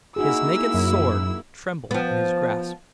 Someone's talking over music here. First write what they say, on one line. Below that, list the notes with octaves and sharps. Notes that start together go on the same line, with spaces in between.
His naked sword trembled in his grasp.
A#3 D#4 E4 F#4 G#4 E6
F#2
F3 B3